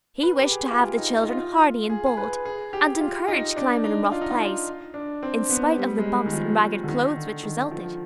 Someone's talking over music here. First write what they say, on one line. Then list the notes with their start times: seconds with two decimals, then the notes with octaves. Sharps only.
He wished to have the children hardy and bold, and encouraged climbing and rough plays, in spite of the bumps and ragged clothes which resulted.
0.23 B4
0.39 G4
0.51 G#4
0.71 F4
0.78 G4
0.97 D#4
1.16 F4
1.23 D#4
1.29 F4
1.90 G#4
2.06 G#4
2.17 B4
2.45 G#4
2.73 G4
3.01 F4
3.28 D#4
3.56 D4
3.84 D#4
4.12 F4
4.21 D#4
4.31 F4
4.94 D4
5.23 C4
5.50 B3
5.77 G3
5.98 G#3
6.06 G3
6.26 D#3
6.33 F3
6.83 D3
6.89 D#3
7.16 D3
7.43 D#3
7.71 F3